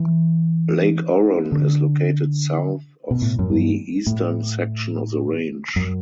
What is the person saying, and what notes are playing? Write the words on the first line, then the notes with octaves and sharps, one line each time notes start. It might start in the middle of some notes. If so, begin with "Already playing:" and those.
Lake Oron is located south of the eastern section of the range.
Already playing: E3
D3
B2
A2
F#2
G2
A2
F#2